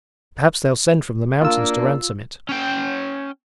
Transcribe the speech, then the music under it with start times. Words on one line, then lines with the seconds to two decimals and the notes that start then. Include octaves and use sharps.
Perhaps they'll send from the mountains to ransom it.'
1.42 A#3 D4 F4 E6
2.49 C#4 G5